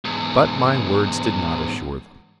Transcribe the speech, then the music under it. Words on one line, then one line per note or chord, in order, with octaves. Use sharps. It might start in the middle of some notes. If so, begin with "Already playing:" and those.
But my words did not assure them.
E2 G#2